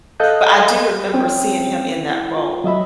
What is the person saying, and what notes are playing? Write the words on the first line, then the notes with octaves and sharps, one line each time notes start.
but I do remember seeing him in that role.
A4 D#5 F5 F#6 G6
C4 C#4 G5
E4
F4
F#3 D#5 E5 B5